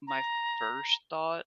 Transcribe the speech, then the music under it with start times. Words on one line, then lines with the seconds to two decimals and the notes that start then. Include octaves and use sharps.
my first thought
0.07 A#5